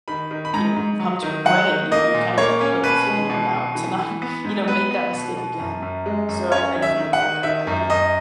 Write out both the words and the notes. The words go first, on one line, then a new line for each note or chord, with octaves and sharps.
you know, come to regret it, you you're kind of equipped, you know, now to not, you know, make that mistake again. So, I I definitely like that idea.
D#3 B5
D#3
B5
G#2 A#5
G#2
F#3
D#3
F#3 F#5
D#3
A#3 D#5
A#2
A#3 C#5
C#4
B2 B4
G#3
B2
B2
E3
E3
B3
G#2
B3 B4
B3
B2
B2
F#2
F#2
G#3
F#2
C#4 C#5
D#3
E5
D#3
F#5
D#3
D#3 E5
F#2
F#2 D#5